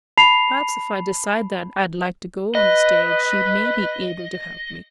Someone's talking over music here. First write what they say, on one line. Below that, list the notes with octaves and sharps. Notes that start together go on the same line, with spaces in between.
Perhaps if I decide that I'd like to go on the stage, she may be able to help me.
A5 B5 C7 F7
B4 D#5